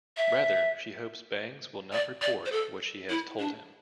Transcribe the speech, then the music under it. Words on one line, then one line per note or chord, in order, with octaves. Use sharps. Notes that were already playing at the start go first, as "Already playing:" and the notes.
Rather, she hopes Bangs will not report what she has told him.
E5
D5
D5
C5
A4
E4
D4